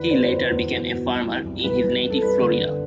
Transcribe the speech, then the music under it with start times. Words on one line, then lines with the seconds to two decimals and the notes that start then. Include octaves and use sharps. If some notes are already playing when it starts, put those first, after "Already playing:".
He later became a farmer in his native Florida.
Already playing: E2 D3 B4
0.11 B2 C5
0.25 C5
0.30 E2 B4
0.49 E2
0.68 B2
0.87 B2
1.07 C2
1.26 E3
1.45 C2
1.64 C2 B4
1.83 C2
2.03 C2
2.10 A4
2.22 G2 B4
2.41 D3
2.60 D3